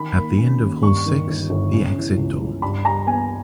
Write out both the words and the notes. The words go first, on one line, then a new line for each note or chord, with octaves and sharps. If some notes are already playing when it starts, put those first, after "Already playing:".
At the end of hall six, the exit door.
Already playing: D#3 B5
A#3
C#4
D#2
G2 C#6
D#3
G1
G1
C#3
E3
C#2
C#2
G2 B5
G3 A#5
B3 G#5